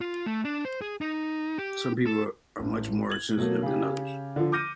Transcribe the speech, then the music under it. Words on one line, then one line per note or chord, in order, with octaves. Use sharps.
Some people are much more sensitive than others.
F4
A3
D4
C5
G#4
D#4
G4
A4
A1
G#6 F#7
B2 F#3 A3 A#3
C#3 G4
D3 F3
D6 F6 G6 A#6 C#7 D#7